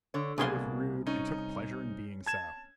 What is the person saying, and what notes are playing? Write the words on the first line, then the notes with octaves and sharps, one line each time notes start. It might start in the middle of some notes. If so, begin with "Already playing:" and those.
I was rude and took pleasure in being so.
D3 C#5
C2 B2 A#3 D4 G#4 C6
C#4 D#4
A5 G#6 E7